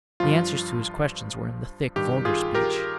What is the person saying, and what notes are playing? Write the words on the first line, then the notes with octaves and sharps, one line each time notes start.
The answers to his questions were in the thick, vulgar speech.
G2 F3 F4
G2 D#3 G4
F4 G#4
G4 A#4